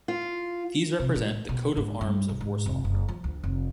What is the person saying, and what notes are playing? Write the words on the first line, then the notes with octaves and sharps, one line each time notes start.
These represent the coat of arms of Warsaw.
F4
C3
A2
B2
G#2
G2
B1
G#2
F1
F#1
F3
D2
F1